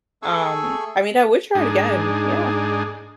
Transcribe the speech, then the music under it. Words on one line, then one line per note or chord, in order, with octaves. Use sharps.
Um, I mean, I would try it again, yeah,
A3 G#4 A4 G#5 C#6 E6
G#2 D4 D#4 G#4